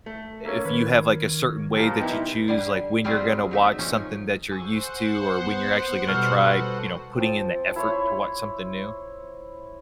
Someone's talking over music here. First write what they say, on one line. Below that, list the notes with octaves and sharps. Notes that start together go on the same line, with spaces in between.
if you have, like, a certain way that you choose, like, when you're gonna watch something that you're used to or when you're actually gonna try, you know, putting in the effort to watch something new.
A3
A#3 C#4 E6
D#3 B4
A#2 F3 G3
B3 D#4 E4 G4
D3 G3 G#5
F#3 G3 C4 C#4 F4 G#4
F#3 D#4 E5
F3 A3 C#4 D#4
C5 F#5 G#5 C#6 E6
B3
B2 G3 F#4 A4 B4 C#6 F6 C7
F3 C4
E4 C5 C#5